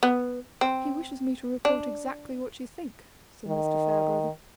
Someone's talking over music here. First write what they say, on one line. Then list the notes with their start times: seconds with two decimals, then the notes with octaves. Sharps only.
"He wishes me to report exactly what you think," said Mr. Farebrother.
0.03 B3
0.61 C4
1.65 D4
3.47 D#3